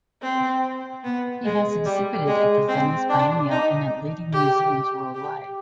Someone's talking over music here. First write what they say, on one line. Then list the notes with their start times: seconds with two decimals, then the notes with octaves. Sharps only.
He has exhibited at the Venice Biennial and at leading museums worldwide.
0.22 C4
1.04 B3
1.45 G#3
1.85 G3
2.27 G#3
2.68 C4
3.09 D4
3.50 D#4
4.32 G4
5.14 G4